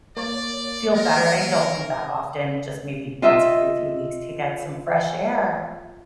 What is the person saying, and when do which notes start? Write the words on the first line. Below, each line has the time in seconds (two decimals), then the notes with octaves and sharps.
feel better and I don't do that often, just maybe once every few weeks to get some fresh air.
0.17 A#3 C#5 D5
0.95 A#4
3.22 F4 D#5 E5